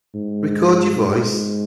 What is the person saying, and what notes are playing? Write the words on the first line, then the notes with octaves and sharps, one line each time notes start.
Record your voice.
G#2
G#2